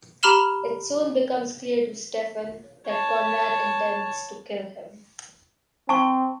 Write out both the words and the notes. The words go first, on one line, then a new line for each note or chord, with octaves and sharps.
It soon becomes clear to Steffen that Konrad intends to kill him.
G4 A#5 B5 F6 E7 G7
C#5 A5
C4 A5 C#6